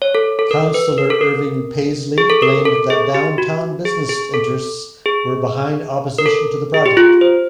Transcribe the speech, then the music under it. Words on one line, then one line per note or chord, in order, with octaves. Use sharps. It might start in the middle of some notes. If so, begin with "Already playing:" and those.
Councillor Irving Paisley blamed that downtown business interests were behind opposition to the project.
C#5
A4
A4
A#4
B4
A#4
A4
A#4
G#4
A4
A#4
A4
G#4
G4
F#4
G#4
G#4
A4
G#4
A#4
A4
G#4
G4
F4
C5